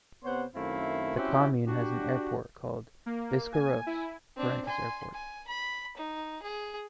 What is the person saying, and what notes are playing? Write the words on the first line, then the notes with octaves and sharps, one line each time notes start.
The commune has an airport, called Biscarrosse - Parentis Airport.
C3 B3 C5 C#5 F#5 C6
F#2 D#3 A3 C4 E4 F5
C4 C#4 E4 F#4 G4 C5
D4 F#4 G4
A#3
G#5
E4
C4 D4
G#5 C6
G#5
B5
D#4
G#4